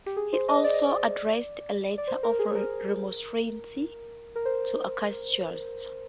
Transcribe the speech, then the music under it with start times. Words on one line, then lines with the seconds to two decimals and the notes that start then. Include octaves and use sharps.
He also addressed a letter of remonstrance to Acacius.
0.06 G4
0.17 G#4
0.33 C5
0.48 D#5
0.64 D5
0.74 D#5
0.82 D5
1.98 D5
2.07 C5
2.23 A#4
2.39 G#4
2.55 A#4
4.36 A#4
4.45 C5